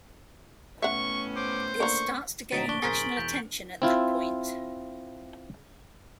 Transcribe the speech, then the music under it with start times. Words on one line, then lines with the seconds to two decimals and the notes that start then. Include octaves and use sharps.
It starts to gain national attention at that point.
0.82 A2 B3 C#4 E5 F#5 C#6
1.36 C5 D6
1.80 D3 A#3 C#6
2.52 A#1 A2 D3 F#3 D#4 A6 B6 D7
2.69 D4 C#6 G7
2.82 D1 B1 F#2 G#4 A#4 C5 A6 B6
2.94 D7 F#7
3.17 E1 E2 A#5 G6
3.82 C4 E4 F4